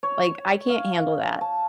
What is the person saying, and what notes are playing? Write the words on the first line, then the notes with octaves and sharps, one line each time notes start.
like, "I can't handle that."
C#5
F5
A5